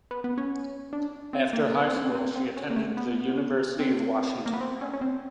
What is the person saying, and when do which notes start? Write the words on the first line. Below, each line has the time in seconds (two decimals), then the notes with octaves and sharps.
After high school she attended the University of Washington.
0.11 B3
0.24 B3
0.38 C#4
0.93 D4
1.33 C4
1.53 A#3
1.75 B3
1.88 C4
1.97 C#4
2.02 C4
2.15 C4
2.36 C4
2.57 C#4
2.70 A#3
2.76 A3
2.97 B3
3.80 C4
4.46 A#3
4.53 B3
4.61 C4
4.81 C#4
4.93 C#4
5.01 C4